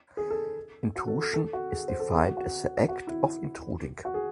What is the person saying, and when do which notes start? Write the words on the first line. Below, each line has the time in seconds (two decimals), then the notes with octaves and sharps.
Intrusion is defined as the act of intruding.
0.17 G#4
0.30 A4
0.96 F#4
1.08 A4
1.21 A4
1.34 A4
1.53 F#4
1.72 G#4
1.88 C5
2.00 A4
2.11 G#4
2.24 F#4
2.37 F#4
2.89 F#4
3.07 E4
4.05 F#4
4.14 G#4